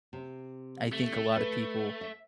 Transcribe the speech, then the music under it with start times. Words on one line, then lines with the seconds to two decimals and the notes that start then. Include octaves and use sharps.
I think a lot of people
0.13 C3
0.93 A3
1.36 B4
2.01 E5